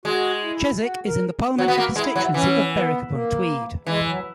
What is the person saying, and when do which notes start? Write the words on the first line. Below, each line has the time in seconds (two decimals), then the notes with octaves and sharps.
Cheswick is in the parliamentary constituency of Berwick-upon-Tweed.
0.05 G#3 F#4
0.44 E4
0.82 F#4
1.07 A#4
1.58 F#3 F#4
1.68 B3
1.78 A#3
1.96 G#3 E4
2.16 F#3
2.34 E3 C#4
2.72 B3
3.11 A#3
3.86 E3 G#3
4.06 F#3